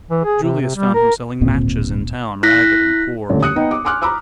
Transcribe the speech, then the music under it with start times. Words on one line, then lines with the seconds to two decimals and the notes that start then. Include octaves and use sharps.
Julius found him selling matches in town, ragged and poor.
0.10 E3
0.24 G#4
0.42 C3
0.61 C3
0.76 G3
0.94 A#4
1.41 D1 G#1 A#2 C4
2.43 E4 F#6 A#6 B6
3.29 D#1 A1 D3
3.43 D#6 F#6 C#7
3.56 B3 D#4 G5
3.71 D6
3.85 G#5 C6 D6 F6 F#6
4.02 A#5 B5 D6 E6 F#6